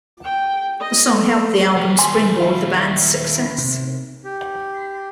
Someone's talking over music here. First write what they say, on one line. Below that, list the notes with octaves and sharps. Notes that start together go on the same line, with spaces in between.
The song helped the album springboard the band's success.
G5
D#5
A3
D#2 G3
G#5 C6
E4 F5
C3
G4